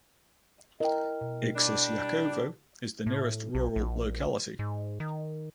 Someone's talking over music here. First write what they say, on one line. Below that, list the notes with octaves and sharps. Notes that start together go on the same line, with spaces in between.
Iksisyakovo is the nearest rural locality.
E4 A#4 D#5 G5
B2
G3 D4
A2
B1
A#1
G#2
D#3